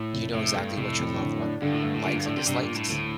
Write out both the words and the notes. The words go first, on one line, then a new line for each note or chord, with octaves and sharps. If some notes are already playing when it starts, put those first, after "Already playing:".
do you know exactly what your loved one likes and dislikes?
Already playing: A2
F1
A2 A3
G2 A3
F1 A2
F2
D3
D4
G2 D3
A2
G2 A3
A2
A#2 D3
G2
A2 D4
C3
G2 C3
A#2
G2
A2
D2 A2